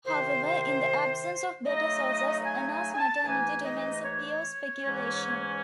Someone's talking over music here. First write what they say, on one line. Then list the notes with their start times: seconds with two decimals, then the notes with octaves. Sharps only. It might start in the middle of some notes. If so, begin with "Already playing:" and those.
However, in the absence of better sources, Anna's maternity remains a pure speculation.
0.05 C2 C3 D#3 C5
1.65 C#3 F#3 A3 D#4 D#5
2.45 G#5
2.71 G#5
2.94 G#5
2.98 A5
3.25 G#2 E3 A3 D#4 G#5
3.64 D#5
4.04 C#5
4.84 G#2 E3 G#3 C#4